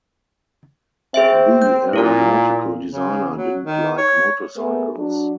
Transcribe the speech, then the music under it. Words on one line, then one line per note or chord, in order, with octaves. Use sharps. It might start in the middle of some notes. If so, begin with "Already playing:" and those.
The aeronautical designer didn't like motorcycles.
C4 G#4 C5 E5
G6
A#2 E4 A#4 F5
C#3
F#3
D#3
C#5
A3 B3 G#4 A#4 B4
F#3 D4